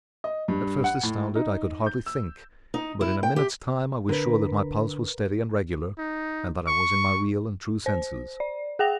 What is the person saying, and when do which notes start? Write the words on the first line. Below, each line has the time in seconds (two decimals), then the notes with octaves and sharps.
At first astounded, I could hardly think, but in a minute's time I was sure that my pulse was steady and regular, and that I was in my real and true senses.
0.24 D#5
0.48 G2
0.84 F#5
1.03 A2
1.35 D#4
1.86 G6
2.06 E6
2.74 D#4
3.01 E4
3.23 G5
3.36 G4
4.09 D3 A#4 B4
5.98 D#4
6.67 C#6
7.86 C5
8.40 D5
8.79 G#4 F#5 G5 A#6 F7